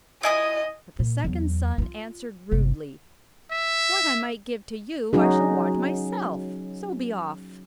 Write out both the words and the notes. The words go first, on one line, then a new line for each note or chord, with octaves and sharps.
But the second son answered rudely: "What I might give to you I shall want myself, so be off."
E4 D#5 G#5 D#6
A#2
E2 F#3
D#4 F4
G1 C3
E5
F#3 C#4 D#4 F#4 G#4